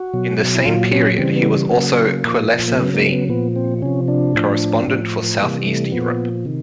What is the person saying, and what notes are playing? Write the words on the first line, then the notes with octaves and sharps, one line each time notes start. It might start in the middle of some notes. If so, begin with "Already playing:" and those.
In the same period he was also Querleser Wien Correspondent for South East Europe.
Already playing: F#4
B2 F#3
E4
A#2 F#3 F4
C#4
C#3 E3 G3 C4
B3
C#3 F#3 A#3
A#2 F3
A#3
C#3 F#3 B3
A#3
B3
A#2 F3 B3
C4
C3 F3 C#4
D4
A2 F3
A2 F3
C3 E3 G3 A#3
A3
A#2 F3 B3
C3 D#3